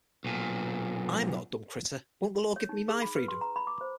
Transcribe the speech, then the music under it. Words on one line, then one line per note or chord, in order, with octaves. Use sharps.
I'm not a dumb critter; won't the law give me my freedom?
B1 A#2
C#5
D#4
G#4
B5
B4
C6
A#5
B5
D6
C5